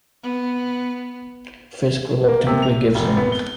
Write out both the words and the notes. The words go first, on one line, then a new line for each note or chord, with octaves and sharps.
Fiske reluctantly gives in.
B3
A#3
C3
F7
F1
B3
G7